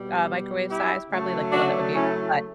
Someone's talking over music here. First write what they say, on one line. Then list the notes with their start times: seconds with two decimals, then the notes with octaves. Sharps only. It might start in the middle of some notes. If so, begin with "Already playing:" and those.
uh, microwave size, probably, like, the one that would be a cut
Already playing: B2 G3
0.68 E4 G4
1.10 C#3 F#3 A3
1.52 D4 F#4
1.95 C#4 E4